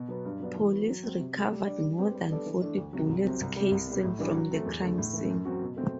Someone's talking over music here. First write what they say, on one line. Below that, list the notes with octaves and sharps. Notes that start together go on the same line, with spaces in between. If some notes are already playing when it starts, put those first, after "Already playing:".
Police recovered more than forty bullet casings from the crime scene.
Already playing: B2
F#3 B3
G2
F#3 B3 D4
E3
B3 F#4
F#3
C4 F#4
C3
F#3 A3
G3
D4 G4 D5
G3
C4 G4 B4
G3
B3 D4 A4 D5
E3
A3 D4
D2
C3 F#3
C2
C3 F#3 C4
C2
C3 G3
C2
B2 G3
A2
E3 G3 D4
F#3
A3 C4
E2
D3 A3
A2
E3 A3
F#2
F#3 C4 F#4
B2
A3 C4